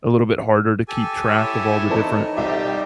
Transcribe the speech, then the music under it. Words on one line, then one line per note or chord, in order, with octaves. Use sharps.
a little bit harder to keep track of all the different
G4 A4 G#5
E4 C#5
E3 C4 D#4 A4
C2 G4 D5 E5